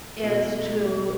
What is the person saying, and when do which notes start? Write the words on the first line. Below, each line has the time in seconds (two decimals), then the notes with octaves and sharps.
is to
0.23 B2 F#3 A3 E4 A4